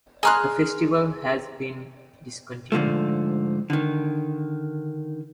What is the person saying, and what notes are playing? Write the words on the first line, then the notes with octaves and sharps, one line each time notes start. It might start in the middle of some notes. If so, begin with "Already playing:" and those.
The Festival has been discontinued.
G#4 G#5 A#5 C6 F6 F#6
G#2 D3 F3 A3
D3 D#3